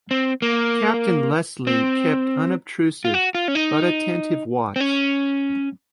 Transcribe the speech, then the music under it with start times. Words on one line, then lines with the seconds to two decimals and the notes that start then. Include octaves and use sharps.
Captain Leslie kept unobtrusive, but attentive watch.
0.11 C4
0.42 A#3
1.67 C4
3.05 F4
3.14 F#4
3.35 F4
3.48 C#4
3.55 D#4
4.76 C4
4.80 C#4